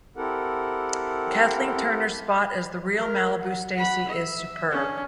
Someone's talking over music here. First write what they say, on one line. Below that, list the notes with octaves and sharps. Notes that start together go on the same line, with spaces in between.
Kathleen Turner's spot as the real Malibu Stacy is superb.
C4 E4 G4 A4 A#4 F#5
A#4
F#5
F#5 B5
E5
C#4 D4